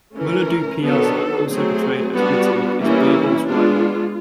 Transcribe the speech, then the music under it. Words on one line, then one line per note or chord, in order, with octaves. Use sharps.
Mulla Do-Piyaza, also portrayed as witty, is Birbal's rival.
E3 A3 C#4 A#4
D#3 F#3 B3 D4 A4
F#3 A3 C4 G#4
G3 B3 D4 F#4
E3 G3 A#3 C#4 E4
G#3 B3 D4 F4